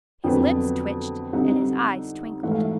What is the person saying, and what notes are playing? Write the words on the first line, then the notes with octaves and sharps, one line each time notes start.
His lips twitched and his eyes twinkled.
F2 D3 F#3 B3 G5
D3 G3 C4 D#4 F#5
G#2 E3 A3 F#5
F5
E5